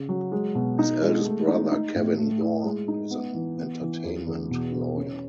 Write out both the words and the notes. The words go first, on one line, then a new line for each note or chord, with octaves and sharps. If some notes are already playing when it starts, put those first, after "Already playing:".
His eldest brother Kevin Yorn is an entertainment lawyer.
Already playing: C#3
F#3
G#3
B2
D#4
G#3
A3
D#4
D#4
A2
A3
E4
G#3
D#4
B3
E3
B3
E3
E2
E2
B2
B2
C#4